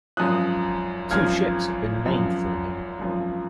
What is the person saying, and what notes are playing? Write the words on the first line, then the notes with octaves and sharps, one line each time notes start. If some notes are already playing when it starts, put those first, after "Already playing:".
Two ships have been named for him.
G#1 F#2 F3 D#6 F#6
G#1 F#2 F3 F6 G#6
G#1 F#2 F3
G#1 F#2 F3